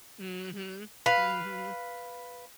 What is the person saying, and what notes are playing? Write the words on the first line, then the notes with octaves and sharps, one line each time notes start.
Mhm. Mhm.
B4 F5